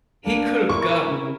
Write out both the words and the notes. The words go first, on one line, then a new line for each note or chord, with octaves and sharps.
he could have gotten
A#3 D4
E4 A#4 C#6